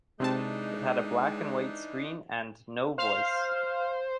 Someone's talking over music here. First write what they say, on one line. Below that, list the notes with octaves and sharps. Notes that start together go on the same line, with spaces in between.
It had a black and white screen and no voice.
C3 E3 G#3 C4 D4 D#4 A5
C5 F5